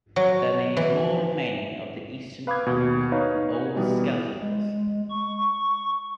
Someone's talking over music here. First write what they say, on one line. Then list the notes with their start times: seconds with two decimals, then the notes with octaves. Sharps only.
There may be more remaining of the eastern elk than old skeletons.
0.16 F#3
0.77 E3
2.47 B4 F5 B5 D6 D#6 G#6
2.66 D#2 B2
3.12 D#4 B4 C#5 F5
3.76 B2 E3 G3 B3
4.40 G#3
5.10 C#6